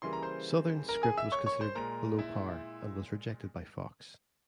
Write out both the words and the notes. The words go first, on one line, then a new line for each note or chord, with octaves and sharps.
Southern's script was considered 'below par' and was rejected by Fox.
C#3 E3 G3 A#3 C6
A#5
C5 C6
A#4 A#5
G#4 G#5
E5 E6
C#5 C#6
C#5 C#6
C5 C6
A#2 G#3 A#4 A#5
E4 E5